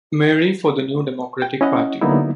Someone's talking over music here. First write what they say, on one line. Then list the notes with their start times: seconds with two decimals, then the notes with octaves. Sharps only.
Marie for the New Democratic Party.
1.42 G5
1.61 C#4 E4 C#5 D#5 F#5
2.02 D3 F#3 A#3 B3 D#4 E4